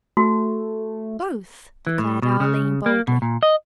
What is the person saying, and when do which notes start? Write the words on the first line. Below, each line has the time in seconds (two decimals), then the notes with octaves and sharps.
"Both," declared Arline boldly.
0.17 A3 F#4
1.87 E3
1.98 A2
2.22 B2
2.40 C#3
2.86 A#3
3.08 B2
3.22 A#2
3.43 D#5